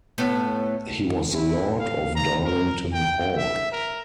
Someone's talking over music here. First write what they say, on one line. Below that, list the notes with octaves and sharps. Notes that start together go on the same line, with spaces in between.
He was the lord of Darlington Hall.
A2 B3
E4
F5
A#5
A#4
G5
E5
A#4